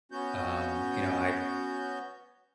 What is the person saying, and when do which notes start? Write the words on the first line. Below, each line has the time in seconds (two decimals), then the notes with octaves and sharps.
um, you know, I
0.12 B3 C#4 F#4 G6